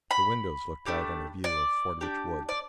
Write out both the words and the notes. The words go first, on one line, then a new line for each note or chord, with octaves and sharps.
The windows looked out on a view of Fordwitch Wood.
B5
A3 D4 G4
D5
D4 G4
D5